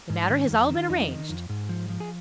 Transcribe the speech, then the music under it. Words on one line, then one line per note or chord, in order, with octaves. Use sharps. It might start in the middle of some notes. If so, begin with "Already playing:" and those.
The matter has all been arranged.
G#2
D#3
F2
D#3
F2 D#4
D#3
F2
G#2
F3
F3
G#4